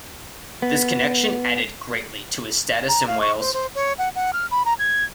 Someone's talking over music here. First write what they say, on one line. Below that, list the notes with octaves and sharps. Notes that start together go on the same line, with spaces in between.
This connection added greatly to his status in Wales.
B3
A#5
F5
C#6
C5
C5
C#5
F#5
F#5
F6
B5
A#5
G#6